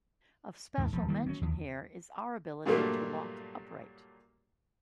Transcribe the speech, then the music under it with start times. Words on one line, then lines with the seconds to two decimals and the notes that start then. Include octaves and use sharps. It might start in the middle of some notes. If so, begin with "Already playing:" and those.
Of special mention here is our ability to walk upright.
0.78 D#2 G#2
0.93 D#1 F3
1.08 D#3 G3 A#3
1.26 F#3 C#4
1.41 D#2
2.65 G2 A#2 F#3 G3 A3 A#3